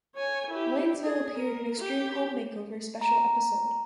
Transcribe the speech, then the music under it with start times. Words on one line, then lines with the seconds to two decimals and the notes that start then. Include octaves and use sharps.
Wanyesville appeared in Extreme Home Makeover Special Episode.
0.15 C#5 G#5
0.51 E4 G4
1.04 G#4
1.38 A#4
1.80 G4
3.01 A#5